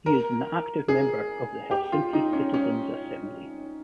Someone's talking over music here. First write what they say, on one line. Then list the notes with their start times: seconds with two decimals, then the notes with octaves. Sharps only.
He is an active member of the Helsinki Citizens Assembly.
0.06 A#4
0.88 G#4
1.71 G4
1.92 F4
2.13 D#4
2.33 C#4
2.54 C#4